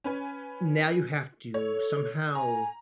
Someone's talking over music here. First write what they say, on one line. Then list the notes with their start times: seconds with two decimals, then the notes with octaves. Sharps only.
now you have to somehow
0.04 C#4 B4 G#5
1.54 A4 C#5
2.35 G#5 A#5